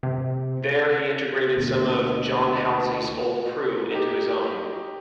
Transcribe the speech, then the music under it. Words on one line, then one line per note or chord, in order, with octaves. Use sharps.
There he integrated some of John Halsey's old crew into his own.
C3
D2 B2 A#3
D#4 G4